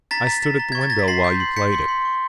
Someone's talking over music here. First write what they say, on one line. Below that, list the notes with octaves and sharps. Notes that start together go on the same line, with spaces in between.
I stood at the window while you played it.
A#5 A6 B6
A#5
A#5
A#5
C#6 G#6
A6
A#5 A#6
B6
C6 A#6 C7
G6
C6
G6 B6 C#7
C6
C6
C#6